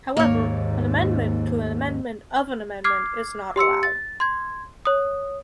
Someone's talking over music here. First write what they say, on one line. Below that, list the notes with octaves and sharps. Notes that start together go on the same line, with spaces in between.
However, an amendment to an amendment of an amendment is not allowed.
D#2 G#2 A#3 C#5
D6 F6 G#6 C7
G4 C6 E6 C#7
A6
C6 G#6
C#5 D#6